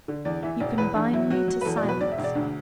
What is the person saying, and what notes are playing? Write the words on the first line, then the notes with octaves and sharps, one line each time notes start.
You can bind me to silence.
D3
E2 D5
E3 E5
E1 D5
E2 B4
E2 D4
F#3 E4
F#3 F#4
F#3
B4
E2 A4
D5
B2
B4
E1 D5
E5
E1
D5
D2 D4